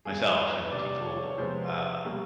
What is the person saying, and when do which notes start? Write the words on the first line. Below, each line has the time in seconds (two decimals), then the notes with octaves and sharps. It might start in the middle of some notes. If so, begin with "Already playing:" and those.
myself and people, uh,
0.05 G2 D#3 G#3 B3 G#4
0.28 A#4
0.50 B4
0.72 C3 D#3 G3 A#3 D5
1.05 C#5
1.30 C#5
1.38 C3 F3 G#3 B3 C5
2.05 B2 G3 A#3